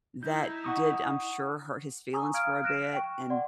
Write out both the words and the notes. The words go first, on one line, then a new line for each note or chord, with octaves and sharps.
that did I'm sure, hurt his feelings for a bit and
D#4 E4 G6
F#5 C#6 D#6
G#5 A#5 C#6 D#6 E6
F5 F6 G#6 D7
F6 F#6 A#6 D7 E7
G5 C#6
D5 F#5 C6